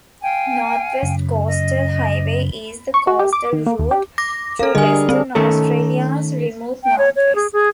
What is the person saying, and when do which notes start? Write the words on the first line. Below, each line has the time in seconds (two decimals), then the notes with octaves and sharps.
North West Coastal Highway is the coastal route through Western Australia's remote north-west.
0.21 F5 G5 G#5
1.03 F#2 C#3
1.46 D#5
2.94 C#6
3.07 F#4
3.19 G4
3.33 D6
3.53 D#3
3.66 A#3
3.79 D#2
3.91 G4
4.18 D6 A#6
4.59 A4 A#4 F5
4.75 D3 G3 G#4 D#5 G#5
5.09 C4 D4
5.35 D#3 A3 C#4 D#4 A4 A#4
6.84 G5
6.98 C#5
7.16 C#5
7.36 G#4
7.53 G#4